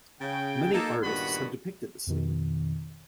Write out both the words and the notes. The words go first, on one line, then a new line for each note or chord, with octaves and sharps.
Many artists have depicted the scene.
C#3 G5
A#3 D#4 A4
G2 A#2 D#3 B3 F#4 B5
F2 B2 D#3